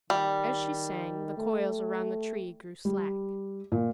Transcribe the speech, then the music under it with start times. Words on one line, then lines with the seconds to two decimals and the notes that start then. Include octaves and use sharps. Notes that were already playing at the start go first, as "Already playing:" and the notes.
As she sang, the coils around the tree grew slack.
0.10 D#3 G3
1.38 A3
2.85 G3
3.72 A#2